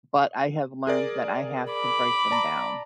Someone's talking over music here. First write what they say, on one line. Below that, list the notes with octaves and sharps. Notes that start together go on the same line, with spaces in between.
but I have learned that I have to break them down.
G#4 A#4 D5
B5 D6
D5 A5 A#5